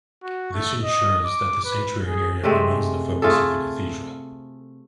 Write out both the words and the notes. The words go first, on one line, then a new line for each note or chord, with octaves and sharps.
This ensures that the sanctuary area remains the focus of the cathedral.
F#4
A3
D#5
D6
B4
G#4
C3 G#3 A3 C4
A3 F4 G#4 A4